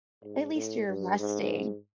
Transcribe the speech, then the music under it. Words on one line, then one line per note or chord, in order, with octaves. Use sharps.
At least you're resting.
G#2
A2
G2
G#2